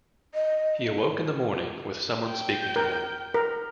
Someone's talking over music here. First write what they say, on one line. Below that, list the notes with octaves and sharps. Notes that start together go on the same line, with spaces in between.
He awoke in the morning with someone speaking to him.
D#5
G5
A#4
A#4